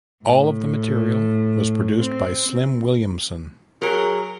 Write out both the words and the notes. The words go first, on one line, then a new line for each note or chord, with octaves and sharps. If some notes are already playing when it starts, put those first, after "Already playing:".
All of the material was produced by Slim Williamson.
A2
C4
F#3 G#4 A#4